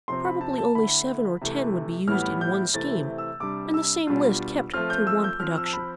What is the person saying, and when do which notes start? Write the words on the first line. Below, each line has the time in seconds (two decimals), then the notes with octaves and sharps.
Probably only seven or ten would be used in one scheme and the same list kept through one production.
0.08 C3 F3 C4 C6
0.25 B5
0.41 A5
0.58 A5
0.75 D3 A3 E4 B5
1.42 C3 E3 A3
2.07 A2 E3 G3 B3 F6
2.41 G6
2.74 C3 E3 A3 C4 E4 A6
3.18 E6
3.40 C3 G3 D4 D6
3.74 E6
4.07 B2 G3 D4 F4
4.74 F3 A3 C4 F4 F6
4.90 G6
5.07 E6
5.24 G6
5.40 F3 C4 F4 F6
5.57 E6
5.65 A5
5.73 B5